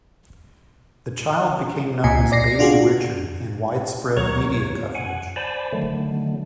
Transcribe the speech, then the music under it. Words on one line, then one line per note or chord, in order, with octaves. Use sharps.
The child became known as "Baby Richard" in widespread media coverage.
C#2 A#2 D#5 G#5
D5 A#6 C7
D4 F4 F#4 G#4
D2 D#3 F#3 C#5 A#5 C#6
C#5
F#5 G#5
C5 D5 G#5 A5 B5
D3 D#3 F#3 A3